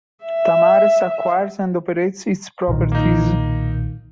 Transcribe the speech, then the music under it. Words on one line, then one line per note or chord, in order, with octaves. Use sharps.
Tamares acquires and operates its properties.
E5
B1 A#2 D#3
A#3 D#4